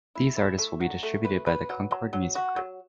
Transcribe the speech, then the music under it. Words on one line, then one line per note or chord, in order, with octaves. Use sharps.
These artists will be distributed by the Concord Music Group.
E4
E4
A3
F#3
A3
B4
B4
F#3
F#3
F#3
F#4
F#3